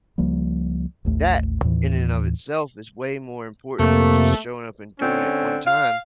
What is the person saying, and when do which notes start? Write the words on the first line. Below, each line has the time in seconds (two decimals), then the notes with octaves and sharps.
That, in and of itself, is way more important than just showing up and doing it one time.
0.18 C#2 F3 G3 A#3
1.05 A1 D#2 A3
1.62 D#2 A2 E3
3.79 F2 C3 A3 A#3
5.00 D3 C4 C#4
5.66 F5